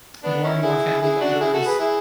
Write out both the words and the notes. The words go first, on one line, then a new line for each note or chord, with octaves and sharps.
more and more family members,
B3 D4
C#4 E4
E4 G#4
E4 G#4
D4 F#4
E4 G#4
F#4 A4
G#4 B4
E4 G#4